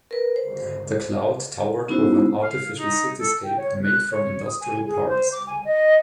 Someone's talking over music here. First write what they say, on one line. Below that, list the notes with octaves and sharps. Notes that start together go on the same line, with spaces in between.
The cloud towered over an artificial cityscape made from industrial parts.
A#4 B4
C5
B3 C#4 D#4 E4 F#4 C5
F5
D#4
A4
G5
C#5
F#6
C#5
D#6
G#5
G#4
C5
D6
G#5
D#5